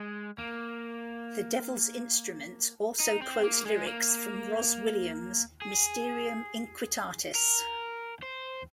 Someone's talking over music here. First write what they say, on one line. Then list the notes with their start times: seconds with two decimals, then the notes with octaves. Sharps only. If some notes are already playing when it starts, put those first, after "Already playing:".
"The Devil's Instrument" also quotes lyrics from Rozz Williams' "Mysterium Inquitatis".
Already playing: G#3
0.38 A#3
3.00 D#4
3.22 C4
3.44 A#3
3.66 G#3
3.87 A#3
5.62 G#4
7.35 A#4
8.23 C5